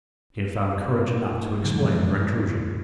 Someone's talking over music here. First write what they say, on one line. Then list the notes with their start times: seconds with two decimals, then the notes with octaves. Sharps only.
She had found courage enough to explain her intrusion.
1.62 F#2 A2 D3 E3 F3 G#3